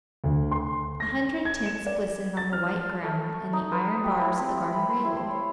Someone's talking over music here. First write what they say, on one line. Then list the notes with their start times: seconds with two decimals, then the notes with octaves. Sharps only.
A hundred tints glistened on the white ground and the iron bars of the garden railing.
0.24 D2
0.52 C6
1.00 A#6
1.45 G#6
1.66 E7
1.86 D5
2.37 A6
2.53 F6
3.04 A3
3.29 C#6
3.53 D#4
3.72 B4
4.04 G4
4.20 E4
4.37 C4
4.73 B5
4.89 C5
5.05 E4
5.16 C5
5.31 C#5